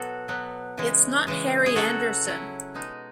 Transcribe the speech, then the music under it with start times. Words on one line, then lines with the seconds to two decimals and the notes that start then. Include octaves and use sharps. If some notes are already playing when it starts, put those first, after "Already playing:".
It's not Harry Anderson.
Already playing: B2 F#3 B3 F#4 A4
0.28 B2 F#3 B3
0.77 C#3 E3 G#3
1.27 C#3 E3 G#3
1.66 G#4
1.75 F#3 C#4 E4 F#4 A4
2.25 F#3 C#4 E4
2.74 B2 G#3 D#4